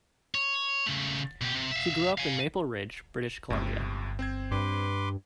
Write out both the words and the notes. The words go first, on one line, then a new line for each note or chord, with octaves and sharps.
She grew up in Maple Ridge, British Columbia.
C#5
C#3 A3
B2 G4
C3
E5 F5
F5 G#5
G1 C#2 A2 C3
C4 C5 G#6
G2 B4 C6 D6